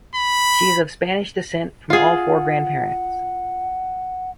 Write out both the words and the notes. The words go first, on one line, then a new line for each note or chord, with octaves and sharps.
She is of Spanish descent from all four grandparents.
B5
F4 G#4 F#5